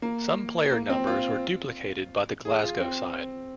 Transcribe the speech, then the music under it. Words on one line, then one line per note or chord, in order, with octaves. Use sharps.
Some player numbers were duplicated by the Glasgow side.
A#3
A#3
C4
F4
G#4
F4
C4